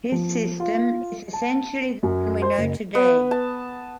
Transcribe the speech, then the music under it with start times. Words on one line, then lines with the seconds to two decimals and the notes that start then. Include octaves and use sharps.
His system is essentially the one we know today.
0.12 F3
0.59 F4
1.33 A5
2.03 F#2
2.42 C5
2.58 F#1
2.95 B3
3.31 A5